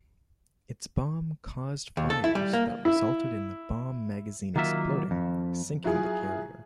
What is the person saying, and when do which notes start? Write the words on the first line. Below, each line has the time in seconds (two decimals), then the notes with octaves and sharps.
Its bomb caused fires that resulted in the bomb magazine exploding, sinking the carrier.
1.97 D#2
2.10 A4
2.24 E4
2.35 G3
2.53 A#3
2.85 E4
4.56 D#3 F#3 A#3 F4 E5
5.11 F2
5.84 F#3 E4 F4 G#4